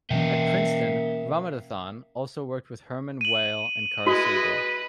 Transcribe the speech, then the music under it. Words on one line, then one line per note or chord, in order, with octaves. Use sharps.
At Princeton, Ramanathan also worked with Hermann Weyl and Carl Siegel.
B2 E3 A#3 C#4 D#5 E5 G5
D#7 F#7
G#3 E4 F#4 B4 D#5